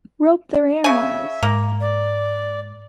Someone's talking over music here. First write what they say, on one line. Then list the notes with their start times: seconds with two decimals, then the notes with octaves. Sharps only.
Rop the rameras!
0.84 C#3 E5 G#5
1.43 G#2 A#3
1.81 D5